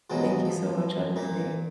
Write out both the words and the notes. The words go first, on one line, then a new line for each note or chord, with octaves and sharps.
Thank you so much, have a good day.
D#2 G#2 B2 E3 F#3 B3
F3
A#2 A#3